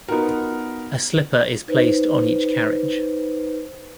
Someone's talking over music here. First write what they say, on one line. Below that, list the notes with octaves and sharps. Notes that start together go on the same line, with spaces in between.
A slipper is placed on each carriage.
B3 D#4 F4 F#4 A#4
D#4 B4 C5